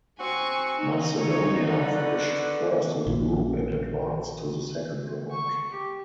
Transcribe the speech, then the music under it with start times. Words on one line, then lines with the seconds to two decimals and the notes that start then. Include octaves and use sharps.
Macedonia finished first in the group and advanced to the second round.
0.19 C4 F#4 G#5 C#6
0.77 D#4
1.18 C#5
1.71 D3 F#4 B4
3.07 A#1 A#2
5.31 C#6
5.71 G4